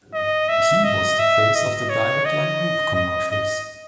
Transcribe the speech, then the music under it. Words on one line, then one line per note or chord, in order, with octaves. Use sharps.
He was the face of the Direct Line Group commercials.
D#5
E5
D#5
E5
D#5
C#5
D#5
D#5
D#5